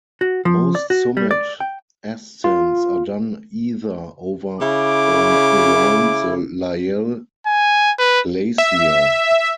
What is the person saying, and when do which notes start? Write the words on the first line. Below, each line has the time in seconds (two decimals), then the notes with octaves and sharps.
Most summit ascents are done either over or around the Lyell Glacier.
0.21 F#4
0.45 F3
0.75 D5
0.90 F#4
1.17 G3
1.31 D5
1.60 G5
2.44 F4
4.61 C#3 E4 D6
7.46 G#5
7.99 B4
8.58 E5